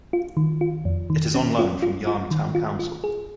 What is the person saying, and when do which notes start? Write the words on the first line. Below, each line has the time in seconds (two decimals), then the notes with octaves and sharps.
It is on loan from Yarm Town Council.
0.13 F4
0.37 D#3
0.61 F4
0.85 F2
1.10 D#3
1.34 C#4
1.59 F4
1.82 F4
2.07 F4
2.31 D#3
2.55 F4
2.79 F4
3.04 G#4